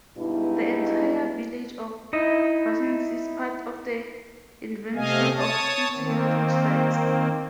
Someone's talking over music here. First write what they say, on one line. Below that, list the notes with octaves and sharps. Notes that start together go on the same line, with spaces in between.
The entire village of Bursins is part of the Inventory of Swiss Heritage Sites.
G2 B2 G#3 D#4 E4
D#4 E4 D#5
C3 A3 D#5 F5 G#5
C#5 A5 D#6
D#3 A#3 C4